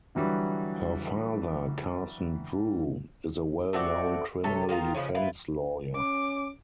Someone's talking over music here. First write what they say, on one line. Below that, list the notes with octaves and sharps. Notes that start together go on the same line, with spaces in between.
Her father, Carson Drew, is a well-known criminal defense lawyer.
D3 E3 F#3 G3
A3 C4 F#4 D5
C3 A4 C#5
D#3 G#3 F4 A#5
C#3 F3 G#3 C#4
E4 F4 B4
C#4 D6